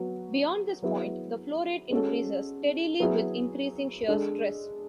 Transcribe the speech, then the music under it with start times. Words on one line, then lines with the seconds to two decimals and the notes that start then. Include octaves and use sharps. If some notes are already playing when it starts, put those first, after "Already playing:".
Beyond this point the flow rate increases steadily with increasing shear stress.
Already playing: F#3 B3 F#4
0.82 F#3 B3 E4 G#4
1.91 G#3 C#4 F#4 A4
3.00 F#3 B3 E4 G#4
4.08 G#3 D4 A4